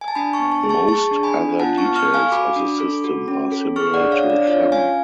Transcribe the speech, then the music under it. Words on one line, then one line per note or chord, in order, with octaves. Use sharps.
Most other details of the system are similar to Thumb.
G#5
A5
D4 G#5 B5
A5 C#6
B3
A5 C#6
G#4
A5 C#6
G#4 A5 C#6
D4
G#5 B5
D4
F4 F#5 A5
A5 C#6
B3
C#6 F6
A4
F5 G#5
F#4 B5 D6
D4
A4
F#4
C#4
A4
G#4 C#6 F6
D5 F#5
D4
C#5 F5
D4
D5
F4 C#5 F5
C#4 F5 G#5